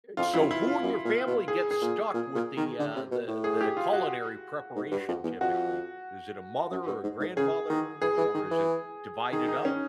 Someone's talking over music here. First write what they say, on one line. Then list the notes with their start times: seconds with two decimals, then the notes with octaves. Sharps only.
So, who in your family gets stuck with the, uh, the the culinary preparation typically? Is it a mother or a grandmother or is it divided up?
0.17 F2 F4
0.34 F2 E4
0.40 F#2
0.51 E4
0.61 F2
0.67 F4
0.83 F#2
1.05 A#2
1.27 B2
1.48 G#4
1.71 G#4
1.82 A#2
2.13 A#2
2.35 A#2
2.57 D#3
2.79 D3
2.96 C3
3.11 B2
3.27 A2
3.44 G#4
3.61 G4
3.77 F4
3.93 F#4
4.76 G#2
4.91 G2
5.08 F2
5.23 E2
5.40 F2 F#4
6.71 F#2
6.87 G2
7.03 G#2
7.20 G#2
7.36 C#3 G#4
7.70 D#3
8.02 E3 G#4
8.17 E3
8.34 D#3
8.51 E3
9.32 D#3 G#4
9.48 D#4
9.65 C#4